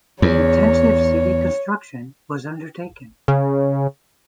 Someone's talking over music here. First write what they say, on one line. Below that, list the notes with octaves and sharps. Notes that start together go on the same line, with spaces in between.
Intensive city construction was undertaken.
E2 C#5
C#3